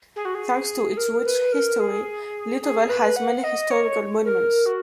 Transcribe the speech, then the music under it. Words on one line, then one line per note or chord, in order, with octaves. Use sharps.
Thanks to its rich history Litovel has many historical monuments.
G#4
F#4
G#4
A#4
B4
A#4
G#4
G#4
B4
F#5
D#5
C#5
A#4
F#4